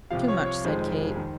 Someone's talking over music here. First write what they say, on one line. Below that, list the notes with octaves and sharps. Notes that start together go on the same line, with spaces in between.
"Too much!" said Kate.
C2 C3 F3 F5
C#5
C#5
F1 F2 D#3 G#3 C5
D#3